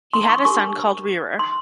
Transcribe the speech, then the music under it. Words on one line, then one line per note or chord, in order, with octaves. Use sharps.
He had a son called Rerir.
C6
C#6
D4 G4 A#4 C#6
C6